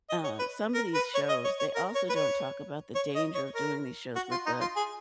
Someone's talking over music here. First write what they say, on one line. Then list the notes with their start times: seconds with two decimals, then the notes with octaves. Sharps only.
uh, some of these shows, they also don't talk about the danger of doing these shows with the
0.09 D#5
0.24 C#5
0.39 B4
0.74 A#4
0.94 B4
1.14 C#5
1.29 D#5
1.44 C#5
1.60 C#5
1.75 A#4
1.95 C#5
2.09 B4
2.15 C#5
2.95 C#5
3.16 D#5
3.35 C#5
3.55 A#4
4.16 F#4
4.31 F4
4.46 D#4
4.61 F4
4.76 G#4